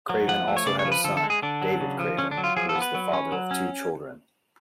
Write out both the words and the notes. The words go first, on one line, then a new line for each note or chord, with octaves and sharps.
Craven also had a son, David Craven, who is the father of two children.
F#3
F3 F#5
A3
C#5
C#3 D5
C#5
F3
B4
D3 A4
A4
G#3
G#4
D3 D4
F#3
C#3
F3
D3 C#4
D4
F#3
F4
F3 G#4
A4
B3
B4
F#3
C#4
F#3
C#4